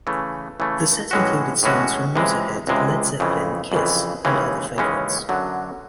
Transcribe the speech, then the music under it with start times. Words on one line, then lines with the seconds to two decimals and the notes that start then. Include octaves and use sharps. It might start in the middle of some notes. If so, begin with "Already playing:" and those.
The set included songs from Motorhead, Led Zeppelin, Kiss and other favorites.
0.07 C#3 E3 A3
0.60 C#3 E3 A3
1.11 A2 E3 G#3 C#4 F#4
1.63 A2 E3 G#3 C#4 F#4
2.15 C#2 C3 E3 G#3
2.67 C#2 C3 E3 G#3
3.20 F2 C#3 E3
3.72 F2 C#3 E3
4.25 D#2 C#3 E3 G#3 C#4
4.76 D#2 C#3 E3 G#3 C#4
5.29 F#2 D3 F#3